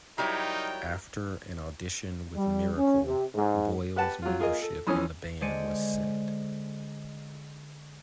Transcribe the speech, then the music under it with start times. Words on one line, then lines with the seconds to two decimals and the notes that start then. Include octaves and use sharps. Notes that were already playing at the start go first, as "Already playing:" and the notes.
After an audition with "Miracle", Boyle's membership in the band was set.
0.18 F#3 G3 D#4 E4 A#4 C#5 G5
2.35 G3
2.76 C#4
3.04 C3
3.34 G#2
3.96 G4 B4 F#5 A5
4.22 F#3 F4
4.39 F4 G#4 A#4 D#5
4.62 A4
4.87 F2 E3 C#4 D#6
5.41 D3 G#3 C5 D5 C#7 D#7